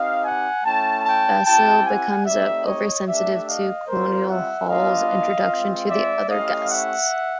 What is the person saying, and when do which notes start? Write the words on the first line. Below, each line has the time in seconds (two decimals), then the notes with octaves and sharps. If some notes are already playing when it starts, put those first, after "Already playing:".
Basil becomes oversensitive to Colonel Hall's introduction to the other guests.
Already playing: C4 D#4 G4 D#5 F5
0.24 F#5 G#5
0.64 A3 C#4 E4 G5 A5
1.05 G5 A5
1.45 C4 E4 G4 G5 A5
1.86 F#5 G#5
2.26 A3 C4 D#4 G4 D5 E5
2.66 C#5 D#5
3.07 A3 D4 G4 D5 E5
3.48 D#5 F5
3.87 G3 C4 F4 A#4 C5
4.28 E5 F#5
4.68 G3 B3 D4 F4 D#5 F5
5.49 G#3 C4 F4
5.90 D5 E5
6.30 A3 C#4 E4 G4 D#5 F5
6.70 E5 F#5